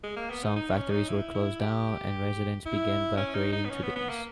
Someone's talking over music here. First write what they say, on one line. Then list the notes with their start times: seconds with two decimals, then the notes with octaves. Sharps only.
Some factories were closed down, and residents began evacuating to the east.
0.04 G#3
0.16 A#3
0.30 B3
0.43 D#4
0.56 D#4
0.74 C#4
0.91 D#4
1.08 E4
1.34 E4
1.60 G4
2.66 E4
3.17 C#4
3.35 D#4
3.52 D#4
3.65 B3
3.69 C#4
3.83 B3
3.96 B3
4.09 A#3